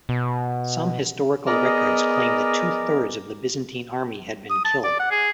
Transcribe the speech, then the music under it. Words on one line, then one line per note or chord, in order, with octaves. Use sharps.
Some historical records claim that two thirds of the Byzantine army had been killed.
B2
B3 G#4 A#4 D5 D#5
D#6
A5
D5
F#5
G#4